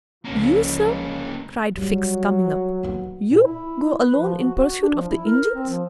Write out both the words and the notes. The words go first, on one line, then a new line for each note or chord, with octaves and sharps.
"You, sir!" cried Fix, coming up; "you go alone in pursuit of the Indians?"
C#2 F3 A#3 C#4
F#3 G3
D#2 B3
A#2
E4
B4
F3
F#4
F#4
D4
F3
E4
A#4
C4
F3